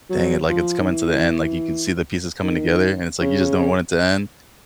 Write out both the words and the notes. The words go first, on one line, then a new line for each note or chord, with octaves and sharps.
dang it, like, it's coming to the end, like, you can see the pieces coming together, and it's, like, you just don't want it to end.
F#3
F3
D#3
E3
D#3
C#3